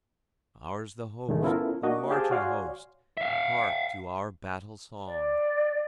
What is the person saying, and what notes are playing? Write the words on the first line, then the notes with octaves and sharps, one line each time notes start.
Ours the host, the marching host--hark to our battle song!
C2 A2 D#3 G#3 A3
B3 C#4 E4 F4 A4 A#4
A#3 D4 F#4 D#5
G4 G#4 C5 F5 G5 A5
F#4 C#5 D5 F5 G#5 C6
E5 F5
D5